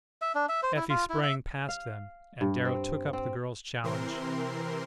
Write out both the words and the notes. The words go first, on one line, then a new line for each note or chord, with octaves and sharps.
Effie sprang past them, and Darrow took up the girl's challenge.
E5
D4
E5
C5
E4
F4
E4
E5
F5
G2
C4
C4
C3 E3 C4 A#4 C6